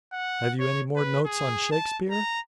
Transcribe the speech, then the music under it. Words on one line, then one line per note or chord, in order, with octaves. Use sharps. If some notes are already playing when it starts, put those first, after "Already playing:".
Have you any more notes on Shakspeare?
F#5
C#5
B4
G#4
A5
A#5